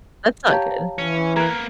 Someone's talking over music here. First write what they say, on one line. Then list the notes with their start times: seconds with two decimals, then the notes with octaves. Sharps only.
That's not good.
0.49 G4 C#5 F5 A5 A#5
0.98 E3 C#4
1.36 A#3 B3 A#4 B4 A#5 G#6